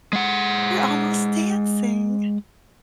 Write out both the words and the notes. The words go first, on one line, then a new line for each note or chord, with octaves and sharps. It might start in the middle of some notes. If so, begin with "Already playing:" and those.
"We're almost dancing."
G#3 F#5